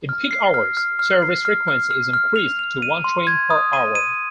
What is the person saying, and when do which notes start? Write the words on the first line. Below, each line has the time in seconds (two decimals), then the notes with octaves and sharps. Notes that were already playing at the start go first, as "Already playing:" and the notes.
In peak hours, service frequency is increased to one train per hour.
0.09 F6
0.31 C7
0.54 F6
0.77 F6
0.99 F6
1.22 C7
1.45 F6
1.68 F6
1.91 F6
2.13 F6
2.36 F7
2.59 F7
2.82 D#7
3.04 C6
3.27 G#6
3.50 D#6
3.73 D#7
3.95 D#7